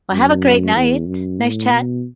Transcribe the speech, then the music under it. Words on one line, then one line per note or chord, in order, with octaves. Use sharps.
Well, have a great night. Nice chat.
F#2
E2
F#2
A2
B2